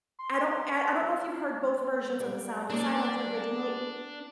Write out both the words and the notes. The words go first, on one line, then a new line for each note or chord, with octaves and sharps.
I don't I I don't know if you've heard both versions of The Sound of Silence originally
C6
G3
A#3 B3 C#4 D4 D5